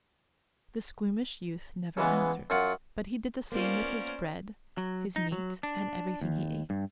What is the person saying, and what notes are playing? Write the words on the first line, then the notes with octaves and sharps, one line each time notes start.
The squeamish youth never answered, but he did the same with his bread, his meat, and everything he ate.
C#3 E3 G#3 B3
F#2 F#3 F4 F#5
A#3 B3 C#4 F4 A#4 C5 D5
F#3
D#4
F#3
D4
D#2
G2